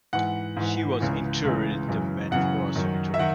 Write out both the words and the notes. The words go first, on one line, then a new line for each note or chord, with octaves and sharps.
She was interred in the Montparnasse Cemetery.
G#2 E3 F#5
G#2 E3
C#2 C#3 E3
C#2 C#3 E3
F#2 C#3 E3
F#2 C#3 E3 F#5
F#2 D#3
E5
D#3 F#5